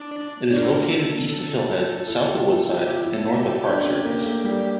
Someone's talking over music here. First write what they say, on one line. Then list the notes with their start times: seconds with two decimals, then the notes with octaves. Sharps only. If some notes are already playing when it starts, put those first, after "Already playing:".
It is located east of Hillhead, south of Woodside, and north of Park Circus.
Already playing: D4 D5
0.50 D4 C#5
0.58 A#4
0.65 A4
0.73 A#3 A#4
0.90 A4
1.29 A4
2.08 E4
2.27 G4
2.47 F4
2.66 E4
2.87 E4 G4
2.96 F4
3.05 E4
3.13 A4
3.39 G4
3.50 A4
3.62 D4 G4
3.84 C#4
4.05 A#3
4.24 A3
4.44 G3